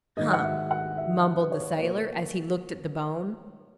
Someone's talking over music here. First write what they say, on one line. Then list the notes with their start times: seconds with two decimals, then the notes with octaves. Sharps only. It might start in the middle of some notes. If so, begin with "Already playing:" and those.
"Hum!" mumbled the sailor, as he looked at the bone.
0.17 G#2 D#3 G#3 D#5
0.33 F#5
0.44 E5
0.71 F#5
0.98 E5
1.42 B4
1.52 C#5
1.78 B2 A#3 C#5